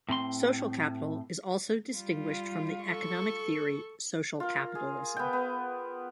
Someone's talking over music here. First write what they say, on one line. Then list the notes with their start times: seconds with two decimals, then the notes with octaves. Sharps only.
Social capital is also distinguished from the economic theory social capitalism.
0.09 A2 C4 B5 C6
1.94 G3 F4
2.84 A4 C#6
4.40 F4 A#4
4.75 G#4
5.17 B3 G5
5.33 B3